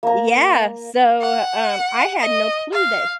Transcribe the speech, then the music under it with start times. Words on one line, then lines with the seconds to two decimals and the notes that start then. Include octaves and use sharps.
Yeah, so, um, I had no clue that,
0.03 A#3 A#5
1.21 F#5
2.20 D#5
2.73 F5